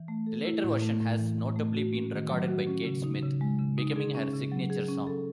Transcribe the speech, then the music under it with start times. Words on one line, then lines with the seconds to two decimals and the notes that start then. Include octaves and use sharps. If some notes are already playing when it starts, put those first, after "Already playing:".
The later version has notably been recorded by Kate Smith, becoming her signature song.
Already playing: E3
0.08 A3
0.26 A4
0.45 E4
0.64 A2
0.82 A3
1.01 A2
1.19 E3
1.38 A2
1.56 A3
1.74 F#4
1.93 C#4
2.11 D#3
2.30 F#3
2.48 F#4
2.67 C#4
2.85 C#3
3.04 D#4
3.22 C#3
3.41 G#3
3.59 C#3
3.78 D#4
3.96 G#4
4.15 C#4
4.33 C#3
4.52 F#3
4.70 G#4
4.88 C#4
5.07 A4